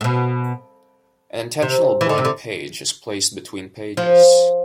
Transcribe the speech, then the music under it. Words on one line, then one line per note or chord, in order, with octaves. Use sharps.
An intentional blank page is placed between pages.
A2
B2
C3
E3
D3
C3
D3
F3